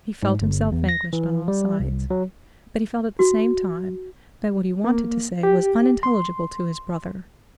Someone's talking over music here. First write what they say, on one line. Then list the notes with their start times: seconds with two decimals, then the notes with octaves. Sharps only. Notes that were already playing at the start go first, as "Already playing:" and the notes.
He felt himself vanquished on all sides, but he felt at the same time that what he wanted to say was unintelligible to his brother.
0.23 G#2
0.42 G1
0.72 E2
0.89 A#6
1.13 E3
1.48 G3
1.80 C2
2.11 F#3
3.19 F#4
4.84 A#3
5.43 G4
6.03 C6